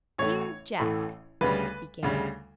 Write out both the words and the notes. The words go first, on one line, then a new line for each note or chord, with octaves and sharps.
"Dear Jack," it began.
A1 A2 E3 A3 C#5
A1 A2 E3 A3
D2 C#3 G3 B4
D2 C#3 G3